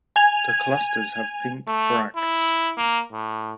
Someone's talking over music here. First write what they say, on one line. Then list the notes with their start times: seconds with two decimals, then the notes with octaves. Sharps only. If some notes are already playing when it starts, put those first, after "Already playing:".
The clusters have pink bracts.
0.16 G#5 G#6 F7
1.68 A3
2.16 E4
2.77 A#3
3.12 A2